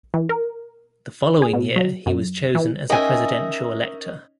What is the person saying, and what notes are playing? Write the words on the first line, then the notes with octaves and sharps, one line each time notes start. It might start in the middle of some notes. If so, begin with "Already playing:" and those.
The following year he was chosen as a Presidential elector.
E3
A#4
G#4
B2
F#3
F#2
E3
C#4 D#4 A#4 D#5 E5 G5 G#5